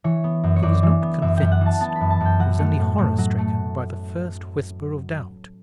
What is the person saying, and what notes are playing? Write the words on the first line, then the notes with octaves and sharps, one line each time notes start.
He was not convinced; he was only horror-stricken by the first whisper of doubt.
E3 C#5
B3
F#2
C#5
F#2 D5
E3
B3
F#2 E5
F#2 G5
F#5
E3
A5
B3 A5
B5
F#2
A5
F#2 G5
F#3 F#5
A3
A2
A2
F#3
A3